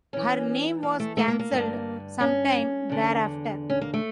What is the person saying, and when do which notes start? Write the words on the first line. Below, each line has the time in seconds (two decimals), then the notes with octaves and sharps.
Her name was canceled sometime thereafter.
0.13 E2 E3 C#4
0.83 A#3
1.00 A3
1.17 A3
1.28 A#3
1.39 A#3
1.51 G2 D3
2.21 C#4
2.89 E2 D3
3.70 C#4
3.81 A#3
3.94 A3